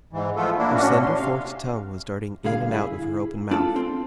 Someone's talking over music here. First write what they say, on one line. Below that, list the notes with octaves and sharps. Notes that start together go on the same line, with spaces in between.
Her slender forked tongue was darting in and out of her open mouth.
G#2 E3
F3 A3 B3 F4 A4
A#3 D4 E4
A2 C#4 D4 F#4
C6
C3 F5
B1 G2 D3 G#4 F5
E4 G#4
D4 F4 A4
C4